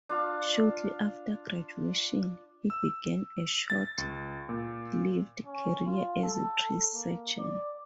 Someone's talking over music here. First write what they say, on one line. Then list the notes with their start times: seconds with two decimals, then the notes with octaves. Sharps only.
Shortly after graduation, he began a short-lived career as a tree surgeon.
0.09 D4 F4 F5
2.70 E6
3.70 A6
3.98 C#2
4.49 A#2
5.46 C#4
5.86 F4
6.23 A4
6.94 A#3
7.38 D5